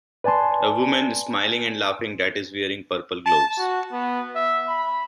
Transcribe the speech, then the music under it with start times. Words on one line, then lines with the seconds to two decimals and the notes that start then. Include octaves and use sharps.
A woman smiling and laughing that is wearing purple gloves.
0.24 B4 D5 G#5 A5 C6
3.26 A5
3.58 F#4
3.92 B3
4.35 E5
4.68 B5